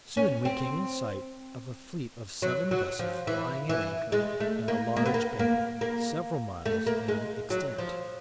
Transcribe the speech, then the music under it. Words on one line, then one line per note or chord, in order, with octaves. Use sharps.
Soon we came in sight of a fleet of seven vessels lying at anchor in a large bay, several miles in extent.
C#4
C4
F#3
F#3
F3
E3
E3
G#3
A3
A#3
A#3
B3
A#3
A#3
A#3
A3
A#3
G#3
F#3
F3